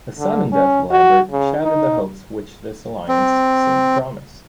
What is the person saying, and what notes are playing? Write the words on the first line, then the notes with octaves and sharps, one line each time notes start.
The sudden death of Lambert shattered the hopes which this alliance seemed to promise.
D3
C#4
F#4
C#3
D#4
C4